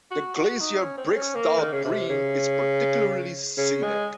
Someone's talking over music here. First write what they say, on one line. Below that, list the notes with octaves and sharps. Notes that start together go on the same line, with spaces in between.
The glacier Briksdalsbreen is particularly scenic.
F#4
F#4
D#4
C#4
C4
C#4
A#3
D#3
C#3
C3
C#3
C#3
G#3